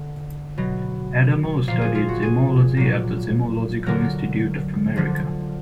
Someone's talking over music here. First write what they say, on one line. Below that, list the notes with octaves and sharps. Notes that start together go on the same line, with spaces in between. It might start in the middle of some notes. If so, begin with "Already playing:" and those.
Adamo studied gemology at the Gemological Institute of America.
Already playing: D3
B2 F#3
A#2 F3 F5
G#4
F4
F#4
G#4
A#2 F#3
D3 F#3 A#4
D3 F3